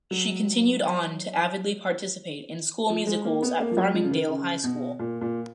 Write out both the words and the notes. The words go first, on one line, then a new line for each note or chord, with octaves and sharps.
She continued on to avidly participate in school musicals at Farmingdale High School.
F#3
F3
G#3
A#3
B3
A#3
F3
F#3
F3
C#3
D#3
C#3
B2
A#2
A#2